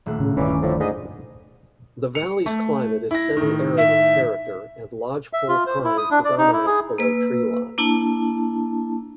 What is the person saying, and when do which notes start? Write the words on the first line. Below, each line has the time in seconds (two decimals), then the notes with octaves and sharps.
The valley's climate is semi-arid in character and lodgepole pine predominates below treeline.
0.06 D#1 A3 F#6
0.20 A2 C#3
0.37 D1 G1 D#3 E3 C#4 D5
0.62 A2 F3
0.80 G#2 D#5
2.15 C#7 F7
2.46 A3
3.11 E4 A#6
3.37 A2 D#3
3.78 E5
5.33 E5
5.48 F4
5.66 C5
5.84 E4
5.98 D#6
6.11 D4
6.25 D5
6.38 D#4
6.53 E4
6.67 G#4
6.98 A#3 B4 E6
7.78 A#3 D4 E4 A5